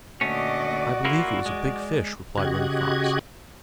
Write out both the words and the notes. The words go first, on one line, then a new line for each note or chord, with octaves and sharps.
"I believe it was a big fish," replied Running Fox.
D2 A#2 A3 C#4 F#4 D5 D#5
A#3 E4 F4 D5
G#3
C#3 F#4 G4 D#5 F#6 G#6